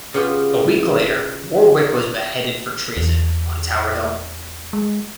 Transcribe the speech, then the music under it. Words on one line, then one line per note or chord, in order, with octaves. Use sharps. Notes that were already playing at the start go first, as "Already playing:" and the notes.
A week later, Warwick was beheaded for treason on Tower Hill.
C#3 B3 F4 G4
E2
G#3